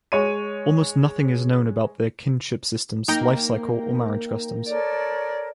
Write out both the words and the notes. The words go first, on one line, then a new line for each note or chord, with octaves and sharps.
Almost nothing is known about their kinship systems, life cycle, or marriage customs.
G#3 C#5 D#7
A#3 D#4 G5 A#5
A4 A#4 C#5 D5